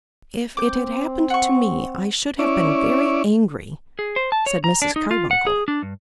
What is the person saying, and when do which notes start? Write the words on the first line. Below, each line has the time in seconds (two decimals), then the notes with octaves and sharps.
"If it had happened to me, I should have been very angry," said Mrs. Carbuncle.
0.57 C4 D6 G6
1.30 F#5 C#6
2.39 C#4 E4 D5
3.99 G#4
4.16 C5
4.32 A5
4.46 C#5
4.64 A#5
4.82 D4
4.96 D#4
5.11 F4
5.31 F#5
5.47 G#4
5.68 D4
5.82 G2